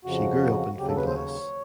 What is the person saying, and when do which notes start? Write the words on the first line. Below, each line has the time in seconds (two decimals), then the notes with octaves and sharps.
She grew up in Finglas.
0.05 F2 C#3 F3 F#4
0.78 D#2 C#3 F#3 G4
0.88 A4
0.97 B4
1.07 C5
1.15 C#5